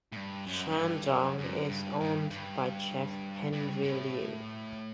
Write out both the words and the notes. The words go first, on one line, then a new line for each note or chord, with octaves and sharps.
Shandong is owned by chef Henry Liu.
A2
G2
F#2
F#2
G2
F#2
F#2
G2
G2
G2
G2
A2